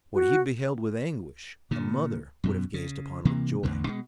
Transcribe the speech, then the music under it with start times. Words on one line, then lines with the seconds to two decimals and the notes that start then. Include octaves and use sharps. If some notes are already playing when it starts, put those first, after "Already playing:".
What he beheld with anguish, a mother would have gazed upon with joy.
0.14 F#4
1.71 A#2 D3
2.44 F#2 B2
2.74 C#3
3.25 C3 E3 A#3
3.63 A1 E2 B2 D3
3.87 B2 G#3